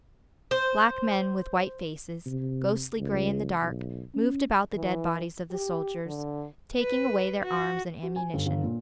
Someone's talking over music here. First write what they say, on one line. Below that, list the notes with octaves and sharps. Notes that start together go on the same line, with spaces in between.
Black men with white faces, ghostly grey in the dark, moved about the dead bodies of the soldiers, taking away their arms and ammunition.
C5
C3
C#2
B1
C#4
E3
G4
D3
B4
F#4
F#4
G#5
G1
G1
A#2